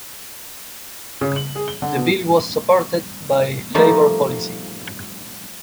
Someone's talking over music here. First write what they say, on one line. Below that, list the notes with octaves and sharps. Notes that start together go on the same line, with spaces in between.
The bill was supported by Labor policy.
C#3
F#7
G#4
G7
D3
B2
F3 G3 A3 A#3 D#4